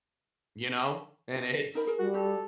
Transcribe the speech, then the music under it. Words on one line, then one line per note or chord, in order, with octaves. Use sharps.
you know? And it's
D#4 A#4 B5
G#4 A#4
G3 F#4
F#4 G4 A4